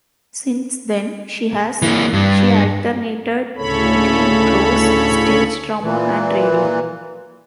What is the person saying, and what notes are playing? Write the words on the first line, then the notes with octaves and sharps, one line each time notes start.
Since then, she has she alternated between prose, stage drama and radio.
E3 A#3
G2
D2 A2 C#3 A4 C#5 B5
A#2 E3